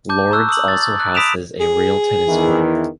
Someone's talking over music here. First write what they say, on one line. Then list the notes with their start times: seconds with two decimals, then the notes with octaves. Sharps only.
Lord's also houses a real tennis court.
0.09 A5 D6 G6
0.31 A#5 C#6 E6 F#6 G6
0.49 D#6 E6 F#7
0.68 A6
1.00 F#6
1.15 B5 D#6 B6 D7 E7 F7
1.60 G#4
2.28 E2 D#3 E3